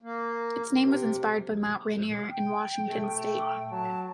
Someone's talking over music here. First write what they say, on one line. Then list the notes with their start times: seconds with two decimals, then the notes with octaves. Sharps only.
Its name was inspired by Mount Rainier in Washington state.
0.02 A#3
0.81 C3
2.30 G5
2.90 A3
3.71 F#3 A5